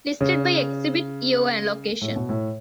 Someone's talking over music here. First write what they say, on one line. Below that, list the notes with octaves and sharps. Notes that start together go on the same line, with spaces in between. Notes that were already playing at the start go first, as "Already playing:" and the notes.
Listed by exhibit year and location.
C#3
A2
B2
A2